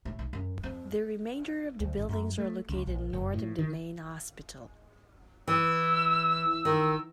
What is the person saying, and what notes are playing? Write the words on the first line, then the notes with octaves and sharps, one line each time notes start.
The remainder of the buildings are located north of the main hospital.
A2
B1
F#2
F2
D2
A1
F#2
A3
C#2
A#1
F#1
A2
D#3
E3 E6
D#3